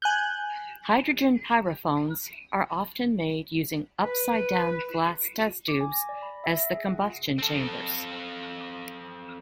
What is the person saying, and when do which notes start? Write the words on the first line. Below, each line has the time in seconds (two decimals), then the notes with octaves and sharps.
Hydrogen pyrophones are often made using upside-down glass test tubes as the combustion chambers.
0.02 G#5 F#6 G6
4.05 B4
5.68 D6
5.81 G#5
5.92 A#6
6.09 D5
6.22 B5
6.44 E5
6.57 A#6
6.70 G#4
6.86 F#5
7.00 F4
7.38 C4 A4